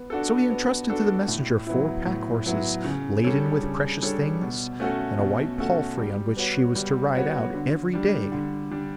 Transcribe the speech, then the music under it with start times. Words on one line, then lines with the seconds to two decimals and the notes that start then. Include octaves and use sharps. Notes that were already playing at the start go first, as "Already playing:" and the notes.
So he entrusted to the messenger four pack-horses laden with precious things, and a white palfrey on which she was to ride out every day.
Already playing: B3
0.10 D4 F#4 A4
0.50 B3
0.89 D4 F#4 A4
1.28 A2
1.67 F#3 B3 E4
2.06 A2
2.46 F#3 B3 E4
2.85 C#3
3.24 G3 D4 A4 C#5
3.63 C#3
4.02 G3 D4 A4 C#5
4.42 B2
4.80 A3 C#4 F#4 A4
5.19 B2
5.58 A3 C#4 F#4 A4
5.98 G3
6.37 B3 F#4 C#5
6.76 G3
7.15 B3 F#4 C#5
7.54 D3
7.93 G3 D4
8.32 D3
8.71 G3 D4